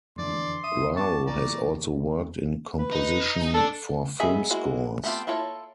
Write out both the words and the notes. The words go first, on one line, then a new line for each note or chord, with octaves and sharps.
Rao has also worked in composition for film scores.
F2 D3 E3 D5 C6
E5 D#6
B3 A5 C#6 D6
A#2 E3 G3 D5 A#5
B4
D#4
D4 A4
F#3 B3 D#4 G#4 E5
G#3 A#3 E4 F#4 G#4
A3 B3 C4 F4 G4
A#3 E4 F4 A4 C#5